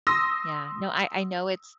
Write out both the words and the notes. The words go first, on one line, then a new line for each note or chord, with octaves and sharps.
Yeah. No, I I know it's
C6 D#6 E6 A#6